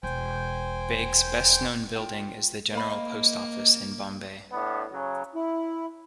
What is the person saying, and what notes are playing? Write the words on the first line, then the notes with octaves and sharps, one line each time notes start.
Begg's best-known building is the General Post Office in Bombay.
E1 C5 G5 G#5
F4 G5
A#3 C5 D#5 F5 B5
A2 B3 D4
C#3 F#3
E4